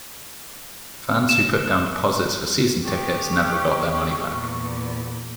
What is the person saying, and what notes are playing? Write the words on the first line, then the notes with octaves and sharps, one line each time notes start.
Fans who put down deposits for season tickets never got their money back.
E7
G4 G#4 C#6
E2 A#2